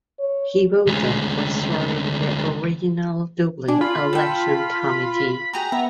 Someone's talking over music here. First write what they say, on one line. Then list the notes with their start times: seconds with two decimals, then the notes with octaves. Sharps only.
He voted for swearing the original Dublin election committee.
0.19 C#5
0.87 D2 G#3
3.68 D4 G#5
3.81 F4 B5
4.13 A4 G5
5.53 F#4 G#4 G5 A#5
5.72 B3 E5